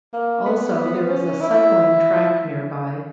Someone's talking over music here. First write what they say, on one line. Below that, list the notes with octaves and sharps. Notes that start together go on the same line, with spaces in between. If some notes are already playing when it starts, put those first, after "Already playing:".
Also, there is a cycling track nearby.
A#3
B3
C#4
E4